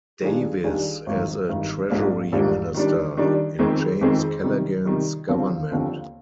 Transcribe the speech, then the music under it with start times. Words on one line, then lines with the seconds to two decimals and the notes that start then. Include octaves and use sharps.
Davies as a Treasury Minister in James Callaghan's Government.
0.21 D#3 G3 D4 F4 G#4
0.64 D#3 G3 D4 F4 G#4
1.06 G#1 G2 D#3
1.49 G#1 G2 D#3
1.90 A#1 G#2 G3 A#3 D4
2.32 A#1 G#2 G3 A#3 D4
2.74 D#3 G3 D4
3.17 D#3 G3 D4
3.59 F2 D#3 G#3 C4
4.01 F2 D#3 G#3 C4
4.44 C3 D#3 G3
4.86 C3 D#3 G3
5.29 D#2 D3 F3 C4 F4
5.70 D#2 D3 F3 C4 F4